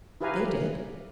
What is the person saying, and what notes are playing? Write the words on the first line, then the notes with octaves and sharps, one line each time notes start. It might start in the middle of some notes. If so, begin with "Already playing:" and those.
"They did."
E4 G4 B4 F5 G#5 A#5